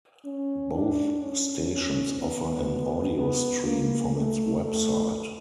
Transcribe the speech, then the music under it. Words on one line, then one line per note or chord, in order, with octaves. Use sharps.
Both stations offer an audiostream from its website.
C#4
D4
C#4
C#4
B3
B3
A#3
A3
A3